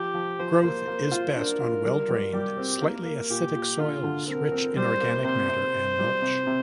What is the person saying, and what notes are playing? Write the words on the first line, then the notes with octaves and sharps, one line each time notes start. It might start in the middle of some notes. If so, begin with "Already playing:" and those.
Growth is best on well-drained, slightly acidic soils rich in organic matter and mulch.
Already playing: F3 G4
F3
F3 C5
A#3
A#3
F4
D4 A#4
F4
G3
G3
G3 G4
C4
A#3 A#4
A#3
A#2 G4
A#2
D3 F4
D3
C4 A#4
C4
G3 C5
A#3
C3 C5
C3
C3
G3
C3
C3